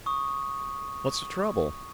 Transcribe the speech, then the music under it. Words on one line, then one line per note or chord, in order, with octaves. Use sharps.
"What's the trouble?"
C#6 D#6